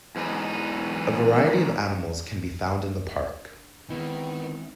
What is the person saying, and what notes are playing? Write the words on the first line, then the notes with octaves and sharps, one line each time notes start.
A variety of animals can be found in the park.
E2 G#2 E3 D#4
D#3 G#3 B3 C4 D#4 E4